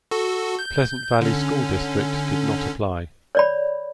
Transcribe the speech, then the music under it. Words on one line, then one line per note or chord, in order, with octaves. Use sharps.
Pleasant Valley School District did not apply.
F#4 A4
G6
D3 C#4
C#5 D5 B5